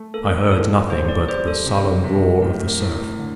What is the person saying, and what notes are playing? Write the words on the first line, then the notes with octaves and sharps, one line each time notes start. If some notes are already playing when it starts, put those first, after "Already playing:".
I heard nothing but the sullen roar of the surf.
Already playing: A3
A#3 A4
A#4
A4
E4 A4
C3 C5
D5
G3 C5
A4
C3
C3
A2 A#4
A2
D3